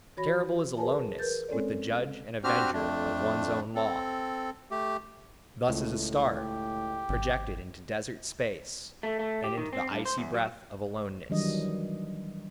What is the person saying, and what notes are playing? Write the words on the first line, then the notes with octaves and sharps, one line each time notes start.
Terrible is aloneness with the judge and avenger of one's own law. Thus is a star projected into desert space, and into the icy breath of aloneness.
E3 F#4 C#5 B5 A#6
G#4 A#4 B4 C#5 G#5 A5
A#4 B4 G6 A6
G#3 C4 C#4 A4 C#5 D5
C4 D4 F#4 G4 C5 F6
F2 A3 D4
C4 A4
A3 G4
C#2 A2
G4
G#1
A3
A3
G4
D#3
C4
G2
C5
E2
F#3
D#3 E3 F#3 G3 D4 D#5